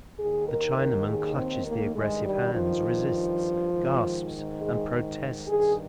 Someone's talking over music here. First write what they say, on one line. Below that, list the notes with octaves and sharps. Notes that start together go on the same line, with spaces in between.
The Chinaman clutches the aggressive hands, resists, gasps, and protests.
D#2 D#3 G#4
A#4
A#4
G#4
C4
A#3
G2 D#3 G#3
G3
F3
G#2 D#3
G#3
G2 D#3 G#4